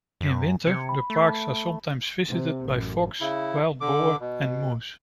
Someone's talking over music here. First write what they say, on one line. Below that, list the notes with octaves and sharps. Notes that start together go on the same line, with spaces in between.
In winter, the parks are sometimes visited by fox, wild boar and moose.
F#2
C3 G#6 C#7
B5
A3
C3
A1 F#2
C#3 E4
D3 D6
B2